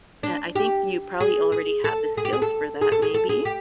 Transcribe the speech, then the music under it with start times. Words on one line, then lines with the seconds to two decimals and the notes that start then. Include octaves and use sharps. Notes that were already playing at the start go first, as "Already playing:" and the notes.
Uh, I think you probably already have the skills for that maybe.
0.23 D4
0.55 G4
1.20 G#4
1.52 G#4
1.84 A4
2.17 G#4
2.25 G4
2.33 G#4
2.42 A4
2.81 G#4
2.92 A4
3.02 G#4
3.14 A4
3.29 G#4
3.45 G4